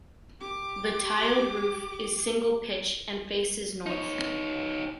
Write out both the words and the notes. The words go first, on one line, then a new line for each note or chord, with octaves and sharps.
The tiled roof is single pitch and faces north.
G4 D6
D#4 C#5